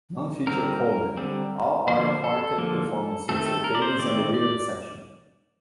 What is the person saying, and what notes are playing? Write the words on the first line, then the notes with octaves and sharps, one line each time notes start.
None feature Coleman; all are quartet performances with Davis and the rhythm section.
D3 G3 C4 A#4
D3 G3 C4
D3 F3 A#3 C5
A4
D3 F3 A#3
D#3 A3 C4 A4
A4
A#4
D5
C5
D#3 A3 C4 D5
D5